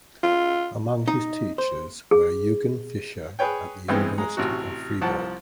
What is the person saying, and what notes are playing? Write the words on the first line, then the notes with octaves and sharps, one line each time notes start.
Among his teachers were Eugen Fischer at the University of Freiburg.
F4
D#4
C5
G#4
G#4 B4 C#5 G5
G2 E3 G3 G#3 B3 C4
G#3 A#5
A1 C3 F#4
C2 F3 F#5 A5